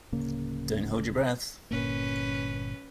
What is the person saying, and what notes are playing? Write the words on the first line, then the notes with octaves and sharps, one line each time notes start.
Don't hold your breath.
D1 C#3 A#3
G1 A#2 A#3 C#4 B4